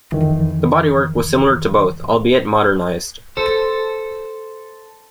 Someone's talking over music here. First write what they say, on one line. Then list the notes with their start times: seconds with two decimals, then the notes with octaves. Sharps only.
The bodywork was similar to both, albeit modernised.
0.12 F2 D#3 E3
3.37 A4 C5